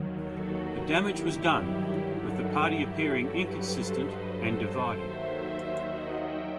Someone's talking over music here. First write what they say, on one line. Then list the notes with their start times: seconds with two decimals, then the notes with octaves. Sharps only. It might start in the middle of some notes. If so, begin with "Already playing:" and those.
The damage was done, with the party appearing inconsistent and divided.
Already playing: D#2 D#3 F#3
0.22 F#4 A4
0.54 D#4 F#4
0.85 E4 G4
1.17 G2 D#3 F#3
2.10 F#4 A4
2.57 E4 G4
3.04 G2 F#3 F#4 A4
3.35 G4 B4
3.66 A4 C5
3.97 B4 D#5
4.29 A4 C5
4.60 A4 C5
4.92 D#2 D#3 F#3 C5 E5
5.39 C5 E5
5.85 D#5 F#5
6.17 E5 G5